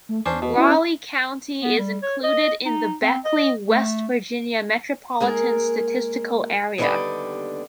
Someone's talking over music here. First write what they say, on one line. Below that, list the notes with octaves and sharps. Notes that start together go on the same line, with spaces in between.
Raleigh County is included in the Beckley, West Virginia Metropolitan Statistical Area.
A3
E2 C#4 D4 C5
B2
C#4 E4
B3
G3
C#5
D#5
D#4
C4
D#5
A3
G#3 A#3 G#4 A#4
D#2 D3 G3 B3 D5 D#5